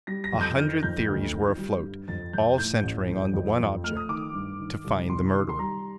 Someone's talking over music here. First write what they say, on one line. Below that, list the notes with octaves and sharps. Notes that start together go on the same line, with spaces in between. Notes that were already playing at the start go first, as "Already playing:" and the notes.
A hundred theories were afloat, all centering on the one object--to find the murderer.
G3 A#6
A#6
F2
G6
D#3 F6
F2 G6
D2
D#3
G3
G2
F2 A6
F2 G6
A2 G6
A1
F2
F2
F2
A3 F6
D#6
D#3 D6
G2
D#3
C2
C2 C6
D#3
C6
G3 A#5